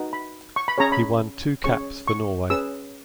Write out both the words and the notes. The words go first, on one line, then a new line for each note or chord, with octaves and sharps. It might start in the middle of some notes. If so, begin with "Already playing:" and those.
He won two caps for Norway.
Already playing: D#4 F#4 B4
B5
C#6
B5
C#4 G#4 C#5 A#5
B5
C#4 G#4 C#5 C#6
C#6
C#4 G#4 B4 E6